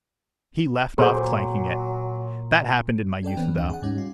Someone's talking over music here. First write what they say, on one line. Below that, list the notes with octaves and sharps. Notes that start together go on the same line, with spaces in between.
He left off clanking it. That happened in my youth, though.
A#2 F#3 G#4 A4 C5
C#4 A4 D5 G5
E3 B3 C4
D2 D4 G5
G#4 F#5
G#2 G3 C#4 D#4
F4